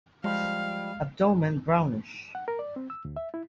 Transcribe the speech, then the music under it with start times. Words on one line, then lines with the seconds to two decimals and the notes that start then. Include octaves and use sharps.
Abdomen brownish.
0.24 F3 G3 G#3 F5
2.35 F#5
2.48 A#4
2.59 D5
2.76 C4
2.90 E6
3.05 D2
3.16 E5
3.34 E4